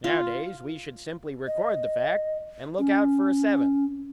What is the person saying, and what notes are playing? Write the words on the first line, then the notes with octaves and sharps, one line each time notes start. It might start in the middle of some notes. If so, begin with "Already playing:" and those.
Nowadays, we should simply record the fact and look out for a seventh.
F4
D#5
C#4